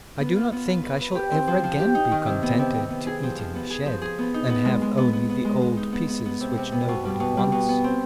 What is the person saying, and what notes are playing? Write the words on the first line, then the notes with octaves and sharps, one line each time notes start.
I do not think I shall ever again be contented to eat in the shed, and have only the old pieces which nobody wants.
B3
F4
B3
B4
B4
B4
G4
C4
F3
F3
G4
D#4
D#3
C3
B3
C3
C3
B3
G#4
F3
F3
B3
G#4
F3
G#4
B3
D#4
B3
G#3
G#3
B3
B3
B3
G#3
G#3
D#4
B3
B3
B3
C3
C3
B3
B2
G3
B2
G3
B2
B3
C4